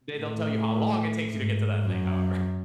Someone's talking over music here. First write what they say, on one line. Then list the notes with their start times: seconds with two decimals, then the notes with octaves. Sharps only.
They don't tell you how long it takes you to get to that thing, however.
0.18 A2
1.30 G#2
1.85 F#2